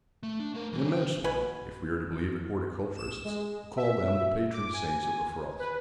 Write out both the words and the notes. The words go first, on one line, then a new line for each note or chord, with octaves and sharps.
"An immense one, if we are to believe horticulturists, who call them the patron saints of the frost."
A3
D4
A3 A#4
E3 G3
G#2 G5
B2 B4 G#5
E7
G#3
E5
D6
G#5
B4